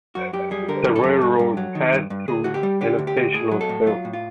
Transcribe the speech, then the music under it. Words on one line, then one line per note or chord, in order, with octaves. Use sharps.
The railroad passed through and a station was built.
F#2 F#4
F#2 G4
G3 G#4
D3 A#4
F#2
A4
F#2
G2
G2
F#3
D#3
G2
G2
D2 G#4
D2 F#4
G4
G3
D3 G4
D2
G4
D2
A2 G#4
F#3
A4
A2
F#3 F4
A2
F4